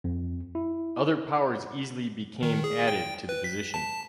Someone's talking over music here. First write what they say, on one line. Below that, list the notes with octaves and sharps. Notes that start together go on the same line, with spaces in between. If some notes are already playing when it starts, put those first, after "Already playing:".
Other powers easily became added to the position.
F2
E4
D#3
G#4
G5
B4
B6
A5